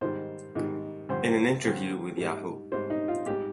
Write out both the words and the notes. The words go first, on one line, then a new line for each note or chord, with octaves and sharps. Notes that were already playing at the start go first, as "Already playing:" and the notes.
In an interview with Yahoo!
G#2 D#3 G3 C5
G#2 D#3 G3
G2 D3 F3 C5
G2 D3 F3
G#2 G3
G#2 G3 C5
D#4
F4
G#2 G3 G4